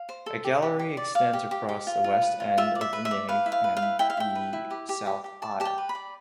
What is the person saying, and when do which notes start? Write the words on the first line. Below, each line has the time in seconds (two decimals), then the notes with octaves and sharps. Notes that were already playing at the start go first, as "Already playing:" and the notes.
A gallery extends across the west end of the nave and the south aisle.
Already playing: F5
0.09 C5
0.26 A4
0.44 G4
0.62 G4
0.79 G4
0.97 D5
1.15 D5 F5
1.33 G4
1.51 G4
1.69 G4
1.87 F4
2.04 F4
2.22 B4
2.40 F4
2.57 F4 E5
2.75 D5
2.81 E5
2.93 B4
3.05 E5
3.11 D5
3.28 B4 F5
3.46 E4
3.52 F5
3.64 B4
3.77 F5
3.82 E4
3.99 E4 G5
4.10 F5
4.17 E4 G5
4.35 B4
4.53 E4
4.71 G4
4.89 G4
5.06 G4
5.24 G4
5.42 D5 A5
5.60 G4 A5
5.65 G5
5.78 B4
5.89 B5
5.95 D5